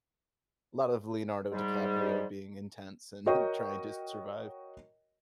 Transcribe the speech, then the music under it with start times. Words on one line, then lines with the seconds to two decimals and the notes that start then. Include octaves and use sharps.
a lot of Leonardo DiCaprio being intense and trying to survive.
1.51 G#2 G3
3.26 F#4 A#4 C#5 D#5 G5 C#6